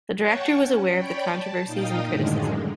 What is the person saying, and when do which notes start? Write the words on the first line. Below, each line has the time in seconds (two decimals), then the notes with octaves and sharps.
The director was aware of the controversies and criticism.
0.20 C#5 F#5 G5 A5 C#6
0.58 C#4
0.90 C#5 D5 G5 B5 D6
1.31 A5
1.65 A#2 D#4 F5 G5 D#6
2.04 F#2 A2 D3 D#3 G#3